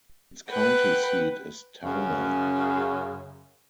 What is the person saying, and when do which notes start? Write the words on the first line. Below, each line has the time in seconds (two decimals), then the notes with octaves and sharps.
Its county seat is Towner.
0.50 B4 F#5 G5
1.85 F#2 C#3